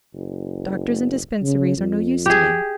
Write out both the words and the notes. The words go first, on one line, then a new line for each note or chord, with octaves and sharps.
Doctors and dispensaries are no use to me.
F#1
C#3
F2
G4 G#4